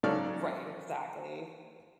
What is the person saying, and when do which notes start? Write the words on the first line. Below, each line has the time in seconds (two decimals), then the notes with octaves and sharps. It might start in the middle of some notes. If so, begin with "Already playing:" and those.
right, exactly.
0.03 G#2 C#3 F#3 A4 D5 F6